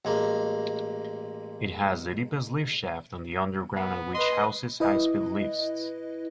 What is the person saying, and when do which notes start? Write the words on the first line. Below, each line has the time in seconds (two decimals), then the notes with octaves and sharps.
It has the deepest lift shaft on the Underground at which houses high-speed lifts.
0.05 A1 G#3 A#3
3.76 B3
4.15 B4 D#5 C6
4.80 E4 B4 D#5